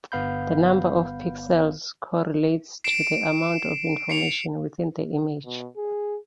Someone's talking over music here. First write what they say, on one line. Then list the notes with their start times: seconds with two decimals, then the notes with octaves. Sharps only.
The number of pixels correlates to the amount of information within the image.
0.12 G1 B3 F5 B5 G6
2.84 C7 D7 E7
4.10 C7 C#7 F7
5.45 B2
5.77 G#4